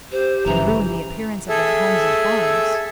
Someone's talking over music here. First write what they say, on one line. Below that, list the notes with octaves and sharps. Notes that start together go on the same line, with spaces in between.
"And ruin the appearance of their homes and farms."
G4 C5
G1 G2 C#3 E3 A#5
G#4 A4 E5